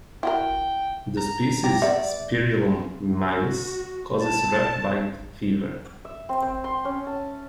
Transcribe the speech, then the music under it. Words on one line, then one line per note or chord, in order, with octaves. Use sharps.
The species "Spirillum minus" causes rat-bite fever.
E4 F#4 A#4 G5
A#5
G4 A#5
G3 A#3 B3 D5 E5
F#4
A5
E5
C4
C4
C6
C#4
A5